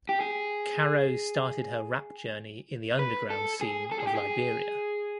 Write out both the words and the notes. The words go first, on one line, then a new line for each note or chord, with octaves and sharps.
Caro started her rap journey in the underground scene of Liberia.
G4
G#4
B4
A4
G#4
A4
G#4
G4
G#4